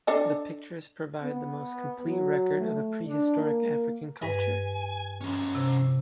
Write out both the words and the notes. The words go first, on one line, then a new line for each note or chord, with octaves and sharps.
The pictures provide the most complete record of a prehistoric African culture.
D4 A4 D#5
B3
F#3
A3
D4
A#3
G2 B4 G#5
F3 C#4
C3